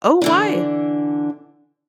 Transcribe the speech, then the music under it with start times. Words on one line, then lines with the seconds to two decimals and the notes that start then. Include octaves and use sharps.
Oh, why?
0.22 D3 E3 D4